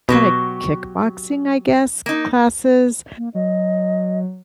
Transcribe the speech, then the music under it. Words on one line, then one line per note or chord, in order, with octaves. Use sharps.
kinda kickboxing, I guess, classes,
B2 F#3 F#4 G4
A#3 D#4
A#3
F#3 D#5